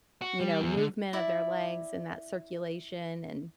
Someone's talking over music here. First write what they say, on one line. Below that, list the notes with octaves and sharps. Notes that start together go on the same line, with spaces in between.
you know, movement of their legs and that circulation, and
F#4
G3
E2
D3
E4 D5 E5